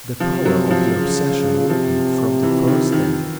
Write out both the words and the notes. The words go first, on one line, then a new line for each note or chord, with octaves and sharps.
The power of the obsession weakened from the first day.
C3 F3
F#3
F3
C#3
C3 F3
E3
D#3
D#3